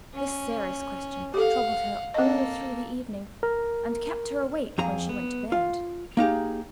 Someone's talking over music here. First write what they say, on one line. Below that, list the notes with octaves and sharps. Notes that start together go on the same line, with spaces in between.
This serious question troubled her all through the evening, and kept her awake when she went to bed.
C#4
G4 A4 F5 F#5
A#3 C4 A4 D#5
A#4
F2 G#4 A#5
B3
F4
A#3 D#4 G4 G#4